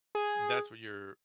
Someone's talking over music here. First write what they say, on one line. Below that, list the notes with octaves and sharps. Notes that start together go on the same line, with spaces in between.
that's what your
G#4